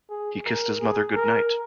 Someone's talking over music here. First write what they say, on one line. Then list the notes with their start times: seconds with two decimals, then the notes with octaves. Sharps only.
He kissed his mother good-night.
0.10 G#4
0.46 A#4
0.81 G#4
1.15 A#4